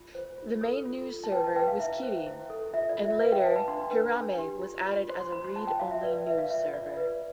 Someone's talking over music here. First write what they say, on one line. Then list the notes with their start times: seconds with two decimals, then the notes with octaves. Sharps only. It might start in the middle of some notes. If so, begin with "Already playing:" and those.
The main newsserver was kirin, and later hirame was added as a read-only newsserver.
Already playing: F4
0.15 C5
0.38 F4
0.61 A4
0.85 F4
1.09 F4
1.24 A5
1.32 B4 G5
1.44 A5
1.56 B4 G5
1.68 F5
1.79 E4 E5
2.03 C5
2.27 E4
2.50 A4
2.74 F4 E5
2.89 D5
2.97 F4
3.05 E5
3.21 B4 F5
3.32 G5
3.44 B4 A5
3.56 B5
3.68 D4 C6
3.91 B4
4.15 D4
4.38 G4
4.62 F4
4.86 F4
5.09 C5 C6
5.20 C6
5.32 C5 B5
5.44 C6
5.56 F4 A5
5.67 G5
5.79 F4 F5
5.91 E5
6.03 B4 D5
6.26 B4 E5
6.38 F5
6.50 F4 E5
6.73 F4 D5
6.97 B4